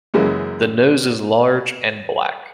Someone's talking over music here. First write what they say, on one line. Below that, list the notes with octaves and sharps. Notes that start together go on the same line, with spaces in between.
The nose is large and black.
F#2 C#3 E3 G#3 A#3